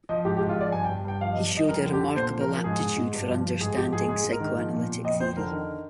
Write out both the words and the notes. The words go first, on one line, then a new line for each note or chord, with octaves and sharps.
He showed a remarkable aptitude for understanding Psychoanalytic theory.
F3 D#5
G#2 G4
G4
G#2
F4
F3 D5
G2 G#5
G5
G2
G2 G5
F3 F5
D#5
G2
G2 D#5
F2 A#4
D3
G4
D3
A#2 C5
F3
A#4
F3
G#2 G#4
G#2
G#2
G2
F3
G2
G#2 G#4
F3 G4
G#2 G#4
G#2 G#4
G#2
A#4
D#3
F3
A#2
A#2
F2 D#5
F2 C5
D3 A#4
D#3